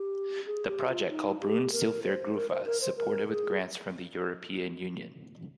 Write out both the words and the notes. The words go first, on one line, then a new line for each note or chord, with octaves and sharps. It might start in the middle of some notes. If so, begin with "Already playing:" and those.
The project, called Brunns Silfvergrufva, is supported with grants from the European Union.
Already playing: G4
G#4
G4
F4
D#4
G4
A#4
C5
A#4
C5
A#4
C5
A#4
G#4